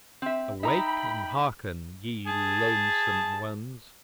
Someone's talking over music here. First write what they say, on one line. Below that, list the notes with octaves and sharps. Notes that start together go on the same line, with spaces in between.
Awake and hearken, ye lonesome ones!
C4 E5
D#4 E5 G5 A#5 B5
G#4 A5